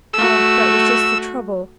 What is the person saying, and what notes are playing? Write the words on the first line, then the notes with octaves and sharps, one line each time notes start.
Ah, that was just the trouble.
A3 F#4 E6